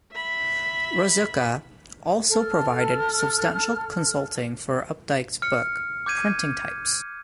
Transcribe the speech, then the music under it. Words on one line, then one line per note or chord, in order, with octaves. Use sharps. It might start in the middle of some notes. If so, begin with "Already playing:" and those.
Ruzicka also provided substantial consulting for Updike's book "Printing Types".
E5 B5
A4 F6
F6 C#7
D6 G6 G#6 D#7